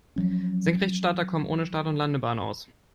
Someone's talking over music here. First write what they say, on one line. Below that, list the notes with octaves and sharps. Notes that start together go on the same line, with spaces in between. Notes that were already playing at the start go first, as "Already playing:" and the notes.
Senkrechtstarter kommen ohne Start- und Landebahn aus.
F3 F#3 C#4